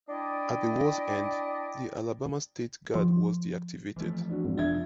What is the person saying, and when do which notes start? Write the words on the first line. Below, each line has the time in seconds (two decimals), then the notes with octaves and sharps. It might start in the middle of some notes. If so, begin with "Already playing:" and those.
At the war's end, the Alabama State Guard was deactivated.
0.08 D4 E4 D5 D#5 G5
2.95 F3
3.96 E3 F3 A3
4.30 D4 F#4
4.44 G#1
4.58 F1 D#3 F3 D4 E5 G#6